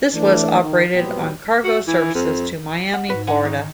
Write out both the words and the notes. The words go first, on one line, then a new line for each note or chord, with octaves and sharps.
This was operated on cargo services to Miami, Florida.
E3 A3 D4
D#3
A#2 E3 F#3 G3 B3 C4
F#4
E3
F2
F#5
G#2 F#4 B4
D3 F#5 G#5
D#3 D#4